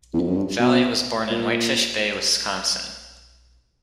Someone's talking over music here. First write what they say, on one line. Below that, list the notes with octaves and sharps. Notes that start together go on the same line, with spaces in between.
Valley was born in Whitefish Bay, Wisconsin.
E2
F2
F#2
G2
B2
A#2